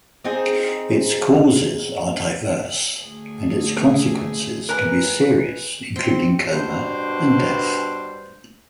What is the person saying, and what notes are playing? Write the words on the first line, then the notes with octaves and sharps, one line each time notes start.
Its causes are diverse, and its consequences can be serious, including coma and death.
C4 D#4 G#4
D2 G#4
A#4 B4 G#5 F#6
C4
G2 B2 G3 D4 C5